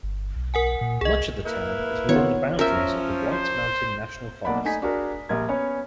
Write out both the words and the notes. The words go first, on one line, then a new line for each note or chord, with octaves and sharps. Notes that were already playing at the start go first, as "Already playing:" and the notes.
Much of the town is within the boundaries of the White Mountain National Forest.
G1
B1
A#4 F#5 G#5
A#2
C2 G#4 D#5
A#3 E4 B4
D#3 B3 F4 C#5
F3 C#4 A#4 E5
C5
B1 A#3 D5 F#5 B5
A3 D#4 G#5 B6
D4 F#4 G#4 A#4
A#1 G3 A#4 G#6
B3 C#4 C#5